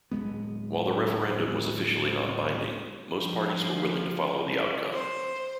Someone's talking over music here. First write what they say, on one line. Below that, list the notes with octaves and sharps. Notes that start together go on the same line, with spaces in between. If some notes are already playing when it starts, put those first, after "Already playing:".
While the referendum was officially non-binding most parties were willing to follow the outcome.
D1 E2 G#3 B3
F3
C5